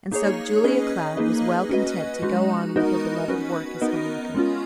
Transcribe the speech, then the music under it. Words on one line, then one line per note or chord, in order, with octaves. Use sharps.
And so Julia Cloud was well content to go on with her beloved work as home-maker.
A#3 D#4 G#4 C#5
C#4 G#4 B4 D#5
A#3 D#4 G#4 B4 D#5
C#4 F#4 B4 D#5
G#3 D#4 F#4
B3 D#4 F#4 A#4 D#5
C#4 F#4 B4
B3 D#4 A#4 D#5
G#3 C#4 F4